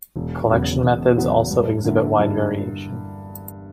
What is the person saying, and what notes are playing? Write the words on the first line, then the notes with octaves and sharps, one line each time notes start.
Collection methods also exhibit wide variation.
E1
E2 C#3 F#3 B3
E1
E2 C#3 F#3 B3
G2
D3 A#3 E4
G2